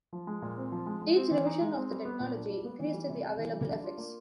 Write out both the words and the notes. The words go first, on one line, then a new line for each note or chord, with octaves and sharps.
Each revision of the technology increased the available effects.
F3
G#3
A#2
C4
F3
G#3
G#3
C4
E3
D#4
G#3
C4
G3
B3
A#2
D4
G3
B3
E3
G3
C3
C3
E3
G3
D4
F4
A#3